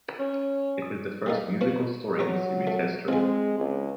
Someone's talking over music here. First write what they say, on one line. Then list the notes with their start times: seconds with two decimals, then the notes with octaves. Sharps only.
It is the first musical story in the series' history.
0.19 C#4
1.26 G3 A#3 D#4
1.61 F3 B3 F#4
2.19 G2 F#3 C#5 A#5
2.67 A3
3.08 F3 G#3 C4 G#4
3.58 C#2